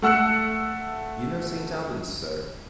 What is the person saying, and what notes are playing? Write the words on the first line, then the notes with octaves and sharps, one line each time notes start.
You know St Albans, sir?
A3 F#5 E6 F#6 C#7